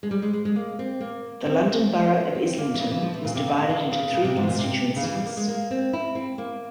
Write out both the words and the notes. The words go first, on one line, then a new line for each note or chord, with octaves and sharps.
The London Borough of Islington was divided into three constituencies.
G#3
G3
G#3
G#3
G#3
A#3
C4
A#3
C4
C4
C4
A#3
E3
C#3
E3
F3
E3
A#2
C3
C#3
C#3
E3
C#3
C#3
C3
G#2
C3
A#2
C3
C#3
E3
G3
A#3
G#3
A#3
C4
E4
C4
A#3